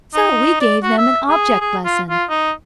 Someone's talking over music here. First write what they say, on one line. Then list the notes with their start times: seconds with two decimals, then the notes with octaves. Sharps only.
So we gave them an object lesson.
0.15 D#4
0.61 D5
0.84 F#4
0.98 E5
1.29 G#4
1.61 G#4
1.85 F4
2.10 F4
2.30 D#4